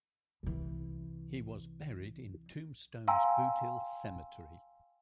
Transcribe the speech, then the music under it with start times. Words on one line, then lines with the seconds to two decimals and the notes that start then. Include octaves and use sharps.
He was buried in Tombstone's Boothill Cemetery.
0.43 C2 E3
3.08 F5 G5 G#5 A#5 C6 E6